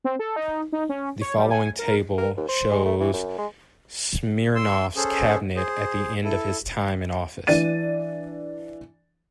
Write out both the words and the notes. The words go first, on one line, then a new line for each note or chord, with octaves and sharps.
The following table shows Smirnov's cabinet at the end of his time in office.
C4
A4
D#4
D#4
C#4
C#5
G3
G#5
A#4
A#4
D#2
C5
G#3
A3
E3
F#2
G#3
C6 E6
C#4 G#4 A4 C5
G#4 C5
E4 A4
E3 D4 D5 A6 D#7